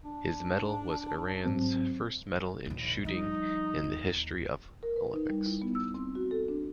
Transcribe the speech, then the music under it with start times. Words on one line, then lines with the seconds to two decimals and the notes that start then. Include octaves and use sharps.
His medal was Iran’s first medal in Shooting in the history of Olympics.
0.04 D4
1.45 G#2 F#3 C4
2.66 A#1 D#2
3.05 F3 G3 D#4
3.84 D#2
4.83 A#4
4.96 B4
5.13 D#4
5.29 G3
5.46 E4
5.62 B3
5.75 E6
5.94 C4
6.15 F#4
6.31 A4
6.48 D4